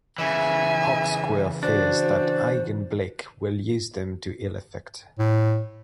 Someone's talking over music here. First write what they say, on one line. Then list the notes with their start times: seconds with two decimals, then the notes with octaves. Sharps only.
Hawksquill fears that Eigenblick will use them to ill-effect.
0.18 C#3 E3 E5 G#5
1.63 D4 F#4 C5
5.19 A2